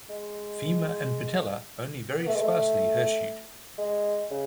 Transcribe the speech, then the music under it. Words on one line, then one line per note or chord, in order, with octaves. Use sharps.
Femur and patella only very sparsely hirsute.
G#3
B3
A3
G#3
A3
G#3
C#3